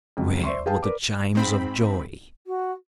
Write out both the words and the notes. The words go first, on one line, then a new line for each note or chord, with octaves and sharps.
Where were the chimes of joy?
F2 C#3 F#3 G#3
C5 D5 E5 C6 C#6
G4 G#4 B4 F5 G5 A5
A#4 B4 D5 D6
G#2 C4 B5
F#4